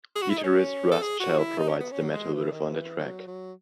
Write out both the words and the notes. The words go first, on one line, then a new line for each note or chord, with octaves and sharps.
Guitarist Russ Chell provides the metal riff on the track.
G#4
F#4
E4
D#4
C#4
A4
G#4
F#4
E4
D#4
C#4
B3
C#4
F#3
G#3
E3
D#3
E3
F#3
F#3